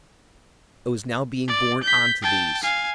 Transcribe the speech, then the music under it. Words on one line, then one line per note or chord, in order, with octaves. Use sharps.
I was now being borne on to these.
D5
G6 B6
G5 A5
F5 G#5